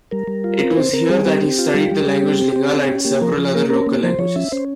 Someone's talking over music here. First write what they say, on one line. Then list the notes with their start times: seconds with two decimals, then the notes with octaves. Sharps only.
It was here that he studied the language Lingala and several other local languages.
0.11 G3 A#4
0.28 G3
0.44 F4
0.60 C4
0.77 C4 C5
0.93 C4 A#4
1.10 G3 G#4
1.25 C4 G4
1.43 C4
1.59 F4
1.74 G3
1.91 G3
2.07 G3
2.23 C4
2.39 C4
2.56 C4
2.73 C#4
2.89 C#4 G4
3.05 A#3 G4
3.21 F3 A#4
3.38 F3
3.55 A#3 A#4
3.70 C#4 A#4
3.87 A#3
4.03 F3 C5
4.19 F3 C#5
4.36 C#4 E5
4.52 C#4 C5